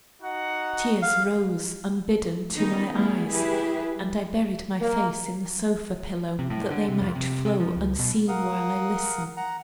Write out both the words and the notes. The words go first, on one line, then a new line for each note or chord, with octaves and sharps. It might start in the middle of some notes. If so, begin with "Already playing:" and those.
Tears rose unbidden to my eyes, and I buried my face in the sofa-pillow that they might flow unseen while I listened.
D#4 F#4 F#5
F5
D#3 B3 C#4 D#4
G3 A3 B3 E4 G#4
E4 G4 G#4 B4
G3
A#3
C3
A2
D3
C3
F2
C3
C3
F3
C#2
B2
A#4 F5 F#5 D#6
F#5 A#5